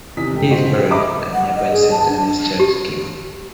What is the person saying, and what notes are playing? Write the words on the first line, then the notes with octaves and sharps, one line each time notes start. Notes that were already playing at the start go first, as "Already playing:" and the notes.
He is buried at nearby Saint Anne's Church, Kew.
E2 C3 D#3 D#6 B6
G#1 A3 G5
F#4 C5 D#5
C#3
G4 A4
D#5 E5 B5 D6
F#5
D#5
G#4
A5
D4
G4